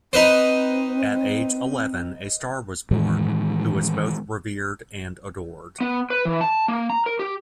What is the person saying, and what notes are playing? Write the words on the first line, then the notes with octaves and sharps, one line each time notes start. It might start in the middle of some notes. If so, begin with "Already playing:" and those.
At age eleven, a star was born, who was both revered and adored.
C4 D#4 B4 C5
A2 D#3 E3 G#3
B3
B4
E3
A5
A#3
A#5
A#4
G4